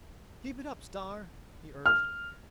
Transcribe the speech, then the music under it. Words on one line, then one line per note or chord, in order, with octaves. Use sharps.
"Keep it up, Star!" he urged.
F6